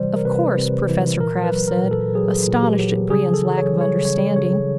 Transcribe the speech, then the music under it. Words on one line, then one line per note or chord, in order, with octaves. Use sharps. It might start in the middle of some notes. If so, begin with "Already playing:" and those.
"Of course," Professor Krafft said, astonished at Brion's lack of understanding.
Already playing: C3 E3 G3 C5 D5
A#4
C3 B4
C3
E3
A#2 A#4
B4
F#3
A#4
A#2
A4
F#3 G#4
A#2
G4
F#3
C#3 G#4
A4
E3
C#5
G3
C#5
C#3 C#5
C#3 C#5